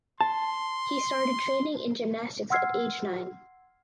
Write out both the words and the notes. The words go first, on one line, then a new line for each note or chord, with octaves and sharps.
He started training in gymnastics at age nine.
A5 C6
F#5 C6 E6 F6 G#6 C7